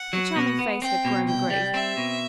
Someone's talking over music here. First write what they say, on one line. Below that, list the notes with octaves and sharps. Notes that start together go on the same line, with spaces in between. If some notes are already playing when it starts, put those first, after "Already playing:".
Her charming face had grown grave.
Already playing: F#5
F#3
B2
B3
C4 G5
B2
C2 G5
G3
C4 E5
B2